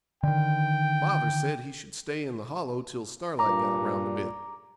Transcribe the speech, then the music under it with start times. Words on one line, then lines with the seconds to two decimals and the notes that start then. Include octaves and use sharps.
Father said he should stay in the Hollow till Starlight got round a bit.
0.23 D3 D#3 G5
3.39 G2 A#2 A#5 D6